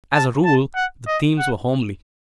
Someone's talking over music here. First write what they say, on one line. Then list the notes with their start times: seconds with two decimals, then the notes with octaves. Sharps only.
As a rule the themes were homely.
0.13 A5
0.45 A5
0.76 F#5
1.08 D#5
1.39 F#5